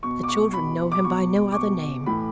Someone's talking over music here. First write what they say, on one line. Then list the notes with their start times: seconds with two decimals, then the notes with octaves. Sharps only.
The children know him by no other name.
0.03 B2 C#6
0.23 D6
0.28 C#6
0.53 B2 B5
0.92 D6
1.04 B2 C#6
1.52 D6
1.55 B2 C#6
2.06 A2 E3 B5